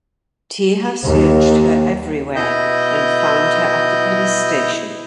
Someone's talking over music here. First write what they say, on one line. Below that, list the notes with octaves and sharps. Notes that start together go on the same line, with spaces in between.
Thiha searched her everywhere and found her at the police station.
D#2
B2 E4 D#5 G6